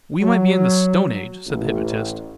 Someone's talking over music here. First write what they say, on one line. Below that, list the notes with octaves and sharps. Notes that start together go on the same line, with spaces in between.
"We might be in the Stone Age," said the hypnotist.
F#3
A1